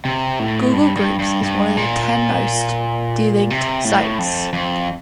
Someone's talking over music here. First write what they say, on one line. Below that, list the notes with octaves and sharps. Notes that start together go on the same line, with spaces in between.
Google Groups is one of the ten most delinked sites.
C3
A2
G2
G2
G2
G2
A#2
C3
A2
F2
F2